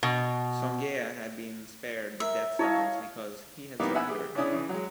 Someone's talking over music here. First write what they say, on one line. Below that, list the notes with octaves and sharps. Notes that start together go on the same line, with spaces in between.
Songea had been spared the death sentence because he had surrendered.
B2
A#4 E5
E4 C#5 D#5 F5 A5
G3 A#3 B3 D#4 E4 G4
E5 F#5 G#5 B5 E6
G4 G#4
C#3 C#4 D4 E4 G#5 D#6
C#3 E3
F#3 G#3